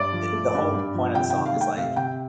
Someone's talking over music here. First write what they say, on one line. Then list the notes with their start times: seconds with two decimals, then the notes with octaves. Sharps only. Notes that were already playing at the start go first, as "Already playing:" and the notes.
i the whole point of the song is like,
Already playing: G2 D5
0.13 F3
0.33 A3
0.54 G2
0.74 G2
0.95 F3
1.15 C3 G5
1.30 D#3 G5
1.46 F5
1.56 A3 G5
1.77 C3 F5
1.96 C3 G5